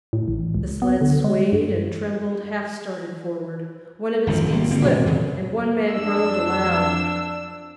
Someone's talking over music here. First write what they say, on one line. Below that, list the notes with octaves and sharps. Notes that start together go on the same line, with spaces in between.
The sled swayed and trembled, half-started forward. One of his feet slipped, and one man groaned aloud.
A2
A1
C#2
B3
D3
G#3
G2
G#1 C#2 F#2 F3
G#1 G3 A#3
G1 D3 A#3 C4
A#2 E3 G#3 C4
F2 C#3
F2 D4 E6